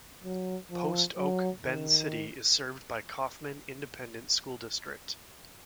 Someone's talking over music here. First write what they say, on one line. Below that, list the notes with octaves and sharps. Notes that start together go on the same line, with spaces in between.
Post Oak Bend City is served by Kaufman Independent School District.
F#3
F3
F#3
D#3